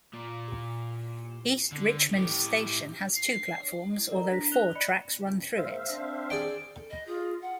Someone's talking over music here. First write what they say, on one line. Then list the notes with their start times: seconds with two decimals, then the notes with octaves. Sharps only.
East Richmond station has two platforms, although four tracks run through it.
0.14 A#2
1.72 D3
2.13 A2 G4
3.16 C7
4.10 A4 A#4 D5 D#5 A#5
4.31 D4 A#6 B6
4.52 F#6 F7 G7
4.75 D5 D#5 B5 C#7
5.18 C#2 G2 C#3
5.57 G#2 G#3 A#3 C5 E5 F5
5.89 C4 D4
6.30 G#4 D5 G5
6.90 D#5
7.07 F4 G#4
7.42 F#5